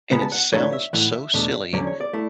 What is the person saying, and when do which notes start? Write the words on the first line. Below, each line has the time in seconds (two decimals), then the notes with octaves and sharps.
And it sounds so silly,
0.12 C#3 G#3 B3 B5
0.22 A5
0.32 F#5
0.52 G#2 E3 A3 D4 C#5
0.73 E5
0.93 A2 E3 A3 E4 F#5
1.13 E5
1.34 E2 B2 A3 D4
1.73 E2 D3 F#3 C#4 D5
1.87 C#5
2.01 D5
2.13 A3 E4